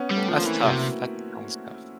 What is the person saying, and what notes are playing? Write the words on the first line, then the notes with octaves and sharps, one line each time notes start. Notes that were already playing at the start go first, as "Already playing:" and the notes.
That's tough. That sounds tough.
Already playing: B3 C#4
G3
A3 B3
F3
A#3 C4
E3
C3 E4 F#4